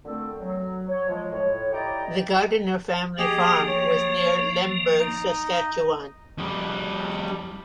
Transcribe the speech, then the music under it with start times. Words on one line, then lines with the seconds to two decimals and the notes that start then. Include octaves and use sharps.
The Gardiner family farm was near Lemberg, Saskatchewan.
0.05 A#2 D3 A3 C4 A4
0.40 F#3
0.89 C#5
1.08 F3 G#3
1.32 A2 C#5
1.73 E4 G4 D5 D#5 G5 A#5
3.18 F3 A#3 G4 G#4 D#5
3.68 C#5
4.99 D#4 D#5
6.38 F2 G3